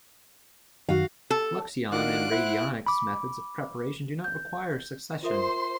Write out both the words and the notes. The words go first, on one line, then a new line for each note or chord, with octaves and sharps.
Fluxion and radionics methods of preparation do not require succussion.
F#2 D#3 F#4 F5
A4
D#3 D4 F4 F#4 F#6 D7
E4 C5 F#5
B5 D6
G6
F4 A#4 C5 E5 C6